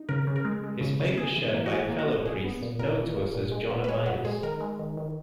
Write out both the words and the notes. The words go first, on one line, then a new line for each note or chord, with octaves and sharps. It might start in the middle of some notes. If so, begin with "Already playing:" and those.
His fate was shared by a fellow priest, known to us as John Amias.
Already playing: D#4
C#3 A#4
C#3
A#4
G#3
G#3
C#3
C#3
A#3 G#4
E3
A#3
F#4
E3 G#4
A#3
F#4
A#3
A#2 G#4
B3
A#2
A#2 A#4
A#2
A#2
A#2
G#3
B3
B4
G#3 C#5
A#2 F#4
G#3 G#4
D#3 A#4
G#3
D#3
D#3